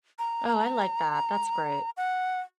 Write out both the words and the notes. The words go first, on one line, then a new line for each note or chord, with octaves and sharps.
Oh, I like that, that's great.
A#5
F#5